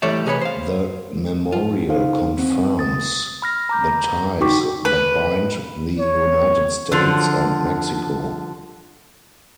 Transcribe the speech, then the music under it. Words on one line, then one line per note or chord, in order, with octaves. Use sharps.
The memorial confirms the ties that bind the United States and Mexico.
E3 G3 A3 C#5 D5 E5
C2 G#4 A#4 B4 C#5 B5
C5 F5
F4
D#4 A4 C5 F5
C4
D#6 A6
B5 F6 A#6
A#5 D6 G6
D#4 F#4 G5 C#6 D6 B6
B4
C#5
D3 F3